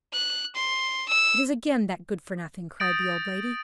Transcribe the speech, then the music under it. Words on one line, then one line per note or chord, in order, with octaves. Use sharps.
"It is again that good-for-nothing!" cried the old lady.
F#6
C6
E6
D#6 G6 A6 A#6 D7 F#7